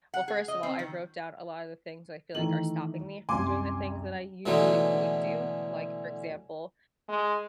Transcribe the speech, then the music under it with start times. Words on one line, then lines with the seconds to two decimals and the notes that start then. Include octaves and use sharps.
well, first of all, I wrote down a lot of the things that I feel like are stopping me from doing the things that I usually would do. Like, for example,
0.14 F#5
0.28 G#4
0.48 D#5
0.63 C4
0.79 D#3
2.35 D#3 E3 A3 F#7
3.29 C2 F#2 G#5 C6 D6
4.46 B2 D3 E3 F#3 G#3 A3
7.09 G#3